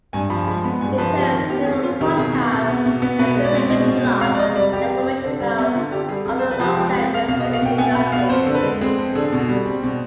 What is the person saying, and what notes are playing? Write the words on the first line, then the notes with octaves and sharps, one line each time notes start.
It hosts several podcasts, a filmmaking blog, and information about other Los Angeles-based industries.
G2 G#5
F3 B5
G#3 B5
B3 B5
G2 G#5
F3 B4
F2 G4
D#3 F4
B3 G4
F2 G#4
F2 F4
D#3 G4
B2 G#4
B3
B2
B3
B2
B3
B2 B4
G#3
D5
C4
B2 D#5
B2
G#3
F2 F5
D5
C3 D#5
G3 D5
F2 G4
F2
C3
D3
G3
B3
D3 F4
D3 G4
G3 G#4
F2 G#4
C5
C3
B4
F3 G4
G#3 G4
G4
F2
G#4
C3 F5
B2 F5
D#5
B3
F5
B2 G5
B3 G#5
B2 B5
B3 F5
F2 C5
D3
B4
G#3
C4 G#4
F2
D3 G#4
B2
G3
C4
B2